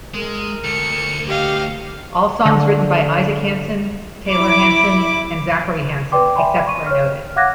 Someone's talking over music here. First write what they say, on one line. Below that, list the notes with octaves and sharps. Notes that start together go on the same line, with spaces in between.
All songs written by Isaac Hanson, Taylor Hanson and Zachary Hanson, except where noted.
G#3 A#4
D2 A3 C#7
G4 D#5 F5
D3
E4 D6
B4 D5 G5 C6 D6
D5 E5 G5 G#5 B5 C6
C#6 D#7
C#5 F6
F5 F#5 D6 F#6 G#6 A#6